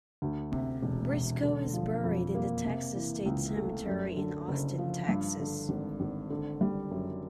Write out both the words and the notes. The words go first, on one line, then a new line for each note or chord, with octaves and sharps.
Briscoe is buried in the Texas State Cemetery in Austin, Texas.
D2
C3
E1
E1
D3
F3
F2
A#3
C3
E3
C#2
A3
F#2
D3
F#1
F3
G2
D3
G#1
G#1
D3
G3
F#2